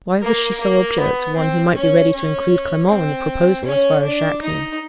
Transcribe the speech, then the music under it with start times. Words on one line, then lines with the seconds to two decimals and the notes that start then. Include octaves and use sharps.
Why was she so obdurate to one who might be ready to include Clement in the proposal, as far as Jacques knew?
0.22 A#3
0.60 A#3
0.97 B3
1.35 C4
1.74 C#4
2.13 C#4
2.89 C4
3.65 C#4
4.03 D4
4.41 D#4